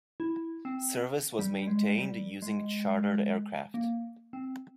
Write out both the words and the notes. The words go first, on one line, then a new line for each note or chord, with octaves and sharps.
Service was maintained using chartered aircraft.
E4
C4
G3
G3
G#3
G3
G#3
A#3
C4